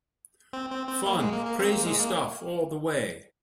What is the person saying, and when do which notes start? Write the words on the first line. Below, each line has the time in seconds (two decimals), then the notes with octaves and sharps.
Fun, crazy stuff all the way.
0.53 C4
0.71 C4
0.88 C4
1.06 A#3
1.20 G#3
1.33 A#3
1.46 A#3
1.59 C4
1.72 A#3
1.86 G#3
2.00 A#3